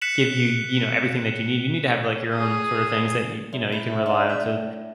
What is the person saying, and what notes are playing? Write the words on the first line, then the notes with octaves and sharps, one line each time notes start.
give you, you know, everything that you need. You need to have, like, your own sort of things that you you know, you can rely on to
F#6 B6 C#7 E7 F#7
G#4 D#6
F#2
E4
D4
E5
A2